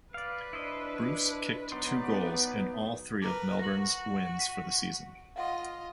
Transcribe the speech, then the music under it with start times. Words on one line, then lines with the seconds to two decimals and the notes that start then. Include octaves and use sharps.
Bruce kicked two goals in all three of Melbourne's wins for the season.
0.14 B4 D5 F5
0.53 D4 E4 C5 D#5
1.72 F#3 B3 D#4 B4 D5 C6
3.22 A#4 B4 D6
3.59 F#4 A#6 F#7
4.39 B6 D#7
5.36 F4 D#5 F5 F#5 C6